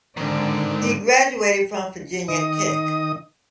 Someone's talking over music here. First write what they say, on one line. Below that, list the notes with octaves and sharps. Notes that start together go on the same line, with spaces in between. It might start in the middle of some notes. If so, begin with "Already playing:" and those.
He graduated from Virginia Tech.
G#2 D3 D#3 D5
D#3 D#5 D#6